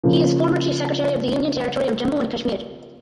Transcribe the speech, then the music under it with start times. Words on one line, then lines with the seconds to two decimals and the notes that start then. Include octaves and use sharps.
He is former Chief Secretary of the Union Territory of Jammu and Kashmir.
0.03 C#3 F3 A#3